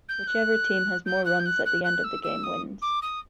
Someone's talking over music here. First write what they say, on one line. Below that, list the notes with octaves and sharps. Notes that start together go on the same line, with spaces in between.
Whichever team has more runs at the end of the game wins.
G6
F#6
G6
F#6
G6
F#6
F#6
F#6
E6
E6
D#6
D6
D#6